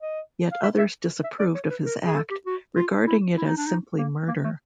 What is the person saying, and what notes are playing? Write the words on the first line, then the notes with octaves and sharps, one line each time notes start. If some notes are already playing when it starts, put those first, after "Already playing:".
Yet others disapproved of his act, regarding it as simply murder.
D#5
F5
E5
E5
E5
D5
C#5
B4
A#4
G#4
A4
G4
F#4
F4
E4
E4
D#4
D4
D#4
A#3
A#3
A3